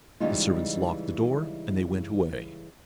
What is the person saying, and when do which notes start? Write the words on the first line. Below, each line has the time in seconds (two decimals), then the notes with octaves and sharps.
The servants locked the door, and they went away.
0.20 C#3 E3 G3 G#3 D#4 F4